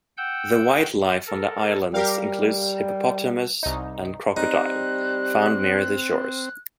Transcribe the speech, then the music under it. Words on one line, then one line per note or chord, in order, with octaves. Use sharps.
The wildlife on the islands includes hippopotamus and crocodile, found near the shores.
F#5 G5 E6 G6
A4 A#4
G3 G4 A#4 F5
C2 D#4
G3 C4 D#4 F#6